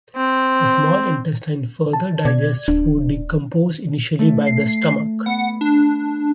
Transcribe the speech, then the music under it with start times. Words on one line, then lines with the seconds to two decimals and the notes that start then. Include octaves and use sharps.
The small intestine further digests food decomposed initially by the stomach.
0.16 C4
1.93 A5
2.25 B2 D5 G#6
2.68 D1 D4
4.19 A3
4.46 C7
5.26 B3 F#5
5.61 D4